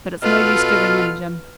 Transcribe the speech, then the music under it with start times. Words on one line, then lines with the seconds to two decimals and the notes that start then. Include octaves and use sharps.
But it's no use giving in, Jim.
0.22 B2 F4 A4 B4 F6